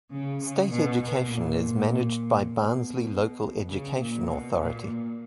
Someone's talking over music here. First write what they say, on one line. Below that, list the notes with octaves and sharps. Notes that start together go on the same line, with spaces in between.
State education is managed by Barnsley Local Education Authority.
C#3
C#3
B2
B2
A#2
B2
C#3
A#2
B2
A#2